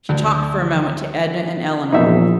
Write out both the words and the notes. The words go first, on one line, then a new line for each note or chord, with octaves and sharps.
She talked for a moment to Edna and Eleanor.
D2
A#1 E2 D#4 E5